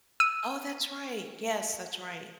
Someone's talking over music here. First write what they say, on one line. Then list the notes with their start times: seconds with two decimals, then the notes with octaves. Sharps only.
Oh, that's right, yes, that's right.
0.20 E6 D#7